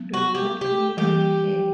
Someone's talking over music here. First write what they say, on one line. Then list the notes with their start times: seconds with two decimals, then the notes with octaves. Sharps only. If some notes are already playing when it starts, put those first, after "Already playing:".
Do not mimic her.
Already playing: F#3 B3
0.14 F#4
0.35 G4
0.61 G4
0.97 E3 G3 A#3 G4